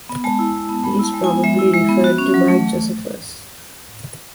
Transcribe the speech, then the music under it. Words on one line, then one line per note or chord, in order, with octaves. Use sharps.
He is probably referred to by Josephus.
B3
G#3 A5
E4
G#3
B3
G#3 B5
E4 A5
G#3
B3 G#5
G#3 E5
E4
G#3
B3
F#4
C#4
F#3
A3